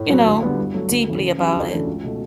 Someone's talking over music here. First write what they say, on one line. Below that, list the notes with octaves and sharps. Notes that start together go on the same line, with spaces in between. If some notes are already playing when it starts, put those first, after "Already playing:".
you know, deeply about it.
Already playing: A2
F#3 B3 F#4
D2
D3 G3 B3
G2
F#3 A3
D2
C#3 E3 A3
C#3
F#3 C#4 E4 G4
D2
C#3 E3 A3 D4
C#2
B2 A3